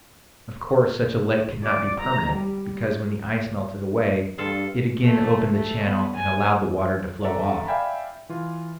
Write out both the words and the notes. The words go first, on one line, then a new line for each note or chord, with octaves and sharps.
Of course such a lake could not be permanent, because, when the ice melted away, it again opened the channel and allowed the water to flow off.
D5
A#5
G3
G2 F4 A4
A3
A3
B3
G#5
A4 D5 E5 F#5 A#5
D5 E5 F5 G5 G#5 B5
E3 F4